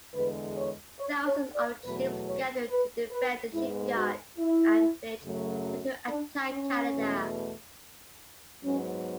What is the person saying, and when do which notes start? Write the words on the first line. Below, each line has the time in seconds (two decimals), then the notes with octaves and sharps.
Thousands of troops gathered to defend the shipyard and village, and to attack Canada.
0.14 E2 D3 G#3 B4
0.57 C#5
0.99 C#5
1.27 C#5
1.55 D5
1.84 E2 B2 F#3 A3 B4
2.26 C#5
2.69 B4
3.11 B4
3.53 G#2 G#3 B3 E4
3.96 F#4
4.38 E4
5.24 F#2 C#3 F#3 A3
6.09 D4
6.51 C#4
6.93 E2 B2 A3
8.63 G#2 F#3 B3 C#4